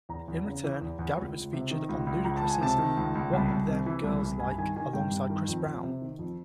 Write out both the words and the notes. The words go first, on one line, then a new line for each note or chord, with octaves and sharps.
In return, Garrett was featured on Ludacris's "What Them Girls Like", alongside Chris Brown.
E2 A#5
E2
C#3
E3
E2
E2
C#2
C#2
C3
D#3
C#2
C#2
C#2 A#5
A5
C#2
G#5
C3 A5
D#3
C#2
C#2
C2
C2
C3
E3
C2
C2
G2 G#5
D#3 G#5
D#3 G#5
G2 G5
G2
D#3
F2
F2
C3
D#3
F2